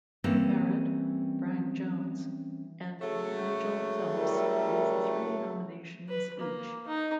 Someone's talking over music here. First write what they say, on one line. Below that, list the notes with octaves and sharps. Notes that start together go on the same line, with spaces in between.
Barret, Bryan Jones, and Nigel Phelps with three nominations each.
E3 G3 A#3 C4 C#4
C#3 F#3 A3
G3 E4 A#4
B4
A#3
D#4